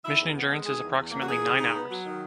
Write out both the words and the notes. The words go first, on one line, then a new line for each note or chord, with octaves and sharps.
Mission endurance is approximately nine hours.
D#3 E4 E5
E2
B3
G#3
D#3 G#4
E2
E2
A#3
F#4
E3 G#4
C#3
D#4
B3
F#3
D#3